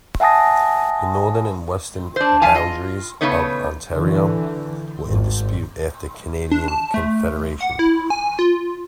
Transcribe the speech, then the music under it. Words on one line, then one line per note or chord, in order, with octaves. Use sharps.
The northern and western boundaries of Ontario were in dispute after Canadian Confederation.
E5 F#5 G#5 A5 D#6 A#6
D4 C5
F3 F5 G#5 A5
F4 D#5
C#3 E3 A3 B3 D#4 C#5
D3 E3
G#1
D4
A5
A3
F#5
E4
G#5
F4